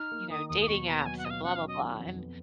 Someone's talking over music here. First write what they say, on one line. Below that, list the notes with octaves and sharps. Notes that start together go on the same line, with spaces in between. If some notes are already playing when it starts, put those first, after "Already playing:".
you know, "dating apps, and blah blah blah," and,
Already playing: D#4 F6
A#3
D#3 D#6
D#2 D#6
D#6
B2 C#6
B3 A#5
F#3 G#5
F#5
B2 D#5
F5
C#4 F#5
F5
F#3
D#5
D#3
F2
B3